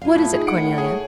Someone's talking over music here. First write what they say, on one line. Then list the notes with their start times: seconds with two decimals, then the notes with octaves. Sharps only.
"What is it, Cornelia?"
0.02 E4 F4 F5
0.15 A2 A5
0.34 D#4 G#4
0.47 A2 F#5 C#7 D7
0.78 G#4 C#5